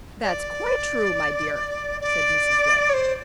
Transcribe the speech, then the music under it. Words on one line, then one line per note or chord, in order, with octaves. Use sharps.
"That's quite true, my dear," said Mrs. Ray.
D5
D5
C#5
C5